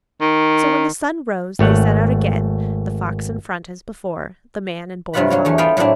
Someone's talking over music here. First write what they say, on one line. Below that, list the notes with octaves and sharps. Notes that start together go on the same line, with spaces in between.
So when the sun rose they set out again, the fox in front as before, the man and boy following.
D#3
G#1 A3 C#5 F#5
G2 C3 F#3 F4 F#5 B5
F#3 A#3 C#5
E2 A3 C#5
A3 B3 F4 B4 F5 G5
A2 F#3 A#3 C4 D4 E4